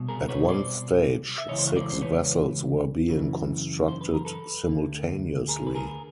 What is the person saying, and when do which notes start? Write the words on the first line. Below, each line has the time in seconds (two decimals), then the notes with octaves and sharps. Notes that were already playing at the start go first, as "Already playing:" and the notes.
At one stage, six vessels were being constructed simultaneously.
Already playing: C2 B2
0.08 G#4 A#4
0.29 B4 C#5
0.45 C#5
0.48 C5 D5
1.38 E5
1.48 C#2 C#3 E3 C#5 D#5
1.59 C5
1.67 C#5
1.75 C5 D5
1.90 C5
2.01 B4 C#5
3.08 F#2 C#3 E3
3.88 C5
4.01 B4
4.14 A#4
4.25 A4 B4
4.69 D2 D3
5.48 G#4 A#4
5.67 B4
5.75 G#4 A#4